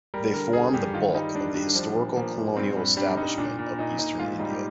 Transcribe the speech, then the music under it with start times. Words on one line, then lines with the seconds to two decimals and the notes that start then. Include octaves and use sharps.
They form the bulk of the historical colonial establishment of eastern India.
0.14 G3 A#4
0.33 D3 A#4
0.53 D3 G#4
0.73 G2 G4
0.94 D#3 F4
1.14 G3 D#4
1.35 G3 D4
1.55 G3 D4
1.75 F3 D4
1.96 A#2
2.16 F3 A#3
2.37 A#2
2.56 G2 C4
2.77 G2
2.97 G3 D4
3.17 G2 D#4
3.38 A#2 D4
3.59 A#2
3.78 A#2 D#4
3.99 A#2 D#4
4.18 G#2 F4
4.39 G3 D#4
4.51 G4